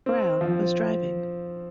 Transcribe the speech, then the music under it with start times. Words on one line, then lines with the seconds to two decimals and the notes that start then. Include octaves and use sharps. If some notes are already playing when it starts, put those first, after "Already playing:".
Browne was driving.
0.06 C4
0.41 F3